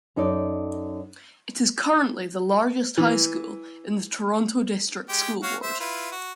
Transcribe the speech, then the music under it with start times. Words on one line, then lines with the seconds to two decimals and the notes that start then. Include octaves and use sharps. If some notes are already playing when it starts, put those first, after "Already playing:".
It is currently the largest high school in the Toronto District School Board.
0.16 F#2 D#4 A4 D5
2.98 E3
5.09 G#3 G4 G5
5.43 F#4 C#5 F5
5.63 C5 E5
5.80 E4 F4 B4
6.12 F#4